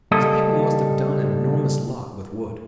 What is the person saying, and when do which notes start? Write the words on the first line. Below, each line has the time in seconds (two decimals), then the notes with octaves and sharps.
These people must have done an enormous lot with wood.
0.11 C#2 G3 A#3 A4 D#5